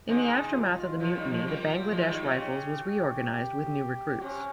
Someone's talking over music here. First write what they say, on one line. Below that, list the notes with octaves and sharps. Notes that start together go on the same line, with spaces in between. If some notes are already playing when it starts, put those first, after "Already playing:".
In the aftermath of the mutiny, the Bangladesh Rifles was reorganised with new recruits.
C3 D#3 G#4
F4
C#3 F3 F4
D#3 G3
F3 G#3
G3 A#3 F4
F3 G#3
D#3 G3
C#3
G4
G4
C3 C#4